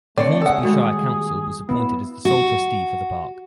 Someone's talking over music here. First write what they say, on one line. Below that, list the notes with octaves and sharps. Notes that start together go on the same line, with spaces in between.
The Hornsby Shire Council was appointed as the sole trustee for the park.
D3 A3 C4 C#5 D5
C#2 G#4 A4 F#5
D#2 A#2 G3 G#3 F#4
B3 E4
F#4